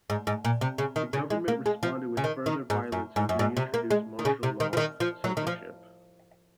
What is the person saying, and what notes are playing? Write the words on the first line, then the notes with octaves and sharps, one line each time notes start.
The government responded with further violence and reintroduced martial law censorship.
G#2
G#2
A#2
C3
C#3
D#3
C#3
G#3
A#3
G#3
F3
C#3
D#3
D#3
G#2
F#2
G#2
F#2
G#2
C3
A#3
G#3
D#3
C#3
C3
D#3
F3
D#3
F3
F#3
D#3
F3